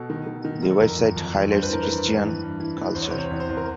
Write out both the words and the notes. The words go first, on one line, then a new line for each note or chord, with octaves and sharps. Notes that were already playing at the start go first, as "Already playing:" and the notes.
The website highlights Christian culture.
Already playing: B2 A4
D#3
D#3
D#3
F#2
A4
F2 A#4
F2
F2
F2
G2 C5
B4
E3 A#4
B4
E3
G2
E3
G2
E3
E3
E2 C5
C#5
C3 C5
C#5
C5
E2 C#5
C5
E2
A#4